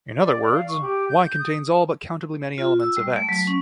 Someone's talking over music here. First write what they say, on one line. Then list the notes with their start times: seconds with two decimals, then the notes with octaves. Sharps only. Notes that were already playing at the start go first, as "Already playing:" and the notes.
In other words, "Y" contains all but countably many elements of "X".
0.22 D5
0.41 D5
0.54 F5
0.68 C#6
0.82 G4
1.09 G6
1.39 D#6
2.58 F4
2.80 E6
2.97 G3
3.16 A3
3.29 F#3
3.47 C#4